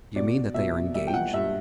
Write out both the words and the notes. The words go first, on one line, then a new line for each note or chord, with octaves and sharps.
"Do you mean that they are engaged?"
B2 D5
B2 E5
G3 E5
G5
F#5
G2 E5